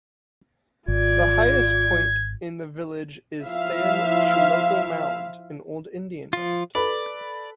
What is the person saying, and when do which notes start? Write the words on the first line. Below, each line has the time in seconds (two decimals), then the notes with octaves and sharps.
The highest point in the village is Sam Chuloco Mound, an old Indian mound.
0.88 G#1 F4 D5 G#6
3.44 F3 E4 E5 F5
6.33 F3 F4
6.75 A4 B4 D5 B5